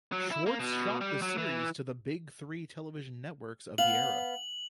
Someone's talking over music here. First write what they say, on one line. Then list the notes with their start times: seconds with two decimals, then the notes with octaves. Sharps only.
Schwartz shopped the series to the "big three" television networks of the era.
0.12 F#3
0.31 E4
0.46 A#3
0.59 B2
1.01 G3
1.22 F#3
1.38 E3
3.78 B3 F5 F#7